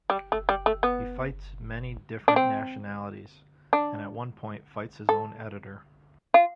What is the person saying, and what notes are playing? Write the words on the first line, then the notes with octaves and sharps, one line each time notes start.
He fights many different nationalities, and at one point fights his own editor.
G3
A3
G3
A3
B3
D4
C4
D4
A4
F4